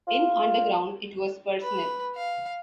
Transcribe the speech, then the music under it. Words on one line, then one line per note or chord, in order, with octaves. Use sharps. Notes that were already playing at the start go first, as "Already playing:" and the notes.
In "Underground", it was personal.
F4
B4
F5